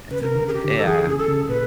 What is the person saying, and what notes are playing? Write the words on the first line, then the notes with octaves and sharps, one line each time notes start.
It's a yeah, yeah.
C#3 B4
C3 A#4
D3
C#3
G#4
G4
D3
A4
E3 G#4
C#3 G#4
A4
C#3
A#2 B4